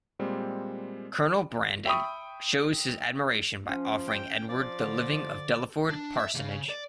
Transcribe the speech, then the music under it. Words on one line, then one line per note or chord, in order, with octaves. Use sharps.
Colonel Brandon shows his admiration by offering Edward the living of Delaford parsonage.
A#2 G3 G#3 C4
E5 G5 B5 C#6 D#6
F3 C#4
G5
F3 D5
D3
D4
E5
D2 C#3
D5